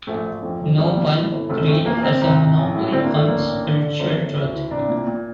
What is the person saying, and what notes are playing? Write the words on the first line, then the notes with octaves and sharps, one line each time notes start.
No one creed has a monopoly on spiritual truth.
A#1 A3
A#1
F2
F1
C2 G3
A#2
E3
G1
F1 A3
F2 A3
E1 A#3
A#3
E1 C4
C2
C2
A1
A2
D3 C4
A#3
D3
A3
A1 A#3
A1
D3
D3
G1
G1
D2
E3
C2 D4
A#2
A#2